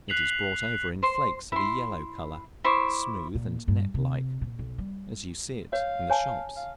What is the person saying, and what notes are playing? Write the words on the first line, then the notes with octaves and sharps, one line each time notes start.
It is brought over in flakes of a yellow color, smooth and net-like, as you see it in the shops.
F#6 B6 C7 F7 F#7
C5 C6
E4 C6
E4 C5 C#6 D6
A#2
G2
C3
A#2
B1
G3
C#5 F5
C#5 G#5 A5
F5